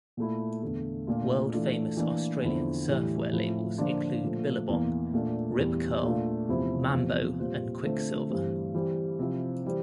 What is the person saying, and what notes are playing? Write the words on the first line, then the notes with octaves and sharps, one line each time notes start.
World-famous Australian surfwear labels include Billabong, Rip Curl, Mambo and Quiksilver.
A#2 A3 E4
E2 D3 A3
A#2 A3 D4 F4
E3 A3 D4 F4
E3 A#3 D4
E2 D3 F3 C4 E4
A2 E3 G3
A2 F3 C4 E4
D3 F3 A#3 D4 F4
A#2 F3 A3
E2 E3 A#3
A#2 A3 D4
E2 E3 G3
A#2 A3 D4 F4
E2 C3 F3 C4 E4
E2 C3 F3
A#2 G3 C4 F4
D3 A3 C4 F4
G2 E3 G3 C4
E3 G3 C4
C3 F3 C4 E4
E3 G3 C4